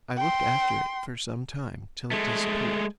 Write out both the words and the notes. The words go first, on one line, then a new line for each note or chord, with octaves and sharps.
I looked after it for some time till it disappeared.
G5 C6
G#3 A3